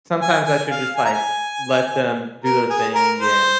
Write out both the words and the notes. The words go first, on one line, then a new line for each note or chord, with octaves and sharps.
sometimes I should just, like, let them do their thing, and,
G#5
G#5
F5
G#5
A#5
G#5
A#4
G#4
A#4
C5